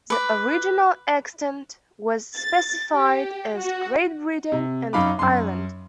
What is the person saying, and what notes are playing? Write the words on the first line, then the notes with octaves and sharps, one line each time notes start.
The original extent was specified as "Great Britain" and "Ireland".
B4 D6
A6
G4
F#4
C3
F#2 D#4 F5 B5 D6
F#2 C6